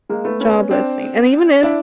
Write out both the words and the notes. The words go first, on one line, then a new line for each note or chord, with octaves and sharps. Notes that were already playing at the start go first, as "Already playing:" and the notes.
job listing. And even if
G#3 A#3
A3 B3
B3 C#4
C4 D4
D4 E4